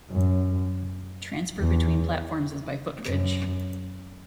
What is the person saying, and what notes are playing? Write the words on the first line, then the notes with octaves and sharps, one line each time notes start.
Transfer between platforms is by footbridge.
F#2
E2
F#2